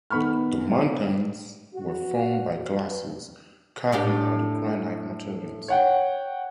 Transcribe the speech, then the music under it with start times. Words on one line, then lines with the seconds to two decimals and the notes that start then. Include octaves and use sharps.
The mountains were formed by glaciers carving out the granite material.
0.10 D#3 B3 B5 C#6 F6
1.74 F#4
3.92 A2 D4 G4
5.68 C#5 F#5 G5